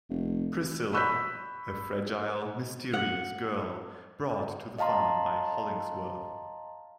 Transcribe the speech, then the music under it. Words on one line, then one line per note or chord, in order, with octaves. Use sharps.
Priscilla: A fragile, mysterious girl brought to the farm by Hollingsworth.
F1
B5 C#6 E6 F#6 G6 B6
F#5
D#5 F5 A5 A#5 C6